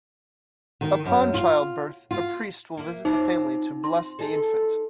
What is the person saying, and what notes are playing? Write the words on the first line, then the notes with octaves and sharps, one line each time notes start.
Upon childbirth, a priest will visit the family to bless the infant.
D#3
F#2
F4
F4
A#3 E4
C4 D#4 F4 C5
C6
D#4 G#4 A4